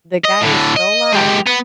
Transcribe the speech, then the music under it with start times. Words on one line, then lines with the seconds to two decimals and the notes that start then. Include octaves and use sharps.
the guy is still alive,
0.24 D#5
0.41 A2 D3
0.76 D#5
1.13 G#3 G4
1.47 B3